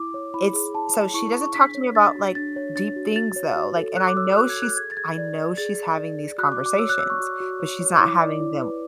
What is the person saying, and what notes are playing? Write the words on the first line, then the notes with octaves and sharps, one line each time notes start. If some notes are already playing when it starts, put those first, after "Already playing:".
it's so, she doesn't talk to me about like deep things though, like, and I know she's I know she's having these conversations, but she's not having them
Already playing: E4 D6
C#5
E4 B5
G#4
E4 A5
C#5
E4 C#6
G#4
C#6
D4 B6
C#5
D4 A6
F#4
D4 A6
C#5
D4 A6
F#4
F#4 A6
C#5
F#4
A4
F#4 F#6
D6
C#5 E6
F#4 F#6
G#6
A4 F#6
G#4 G#6
A6
G#4 G#6
D5
D5
G#4 A6
G#4
D5
D5
F#4 F#6
D6
F#4
D6
C#5 E6
F#6
C#5 E6
C#6
F#4
F#4
C#5
C#5
E4 D6
D5
E4
B4